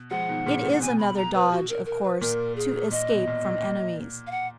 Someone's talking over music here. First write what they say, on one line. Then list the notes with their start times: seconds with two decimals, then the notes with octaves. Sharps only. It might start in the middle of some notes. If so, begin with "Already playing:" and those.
It is another dodge, of course, to escape from enemies.
Already playing: B2
0.10 F3 G#3 F#5
0.29 B2 D#3
0.46 A#2 C#3
0.64 A#2
0.72 F#5
0.81 B2 G#5
0.99 B5
1.17 A#5
1.34 B4
1.52 F#4
1.69 A#4
1.86 A#4
2.04 B4
2.21 A#2 A#4
2.56 G#4
2.91 A#2 D#5
3.09 B2
3.27 A#2
3.44 A#2
3.62 A#2
4.27 F5
4.31 F#5